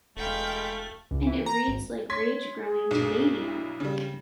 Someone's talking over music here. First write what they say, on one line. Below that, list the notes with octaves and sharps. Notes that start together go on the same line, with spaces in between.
And it reads like rage growing to mania!
E1 G#3 A3 F5 G5 B5
C#2
E3
A#5
G#1
C#5 C6 G#6 B6
G#4
B1 G2
E4
C#3 G3